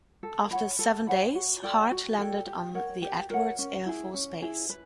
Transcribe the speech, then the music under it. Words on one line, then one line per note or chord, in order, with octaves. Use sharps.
After seven days, Hart landed on the Edwards Air Force Base.
A4
C#5 F#5 B5
A4
C#5 F#5 B5
F#4
A4 D5 G5
F#4
A4 D5 G5
G4
A#4 C#5 F#5
G4
A#4 C#5 F#5
C#4
E4 G#4
C#4
E4 G#4
B4